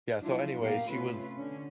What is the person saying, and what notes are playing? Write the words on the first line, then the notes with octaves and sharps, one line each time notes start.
Yeah, so anyway, she was
F3 F#3 D4 E4 F4
A#2 B3 G4 A#4 F5
C3 A3 C#4 F4 B4
D3 C#4